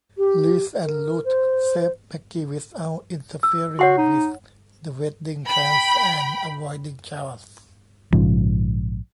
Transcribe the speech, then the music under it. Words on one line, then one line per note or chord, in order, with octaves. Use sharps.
Reese and Root save Maggie without interfering with the wedding plans and avoiding chaos.
G4
A#4
C5
E6
F#4 C#5 F#5 C6
D#4
G5 B5
A#1 G#2 C#3 F3